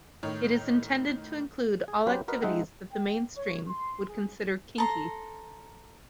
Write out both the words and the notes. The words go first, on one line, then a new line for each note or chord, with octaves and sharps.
It is intended to include all activities that the mainstream would consider "kinky".
A2 D#3 C#5
G#4
F#3 C#4 G4 B4 C5
F#4 A#4 B4 D#5
F3 G#3 D#4 E5 F#5 G5
G5
C#5
C6
G#4
A4 A#5 C6